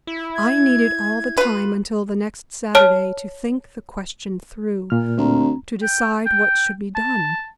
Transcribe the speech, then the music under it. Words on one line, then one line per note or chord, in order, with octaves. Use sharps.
I needed all the time until the next Saturday to think the question through, to decide what should be done.
E4
G#6
F4 B4
C#5 A5 F6
A#2 F6
D2 C4 A#5
G5
G5
A5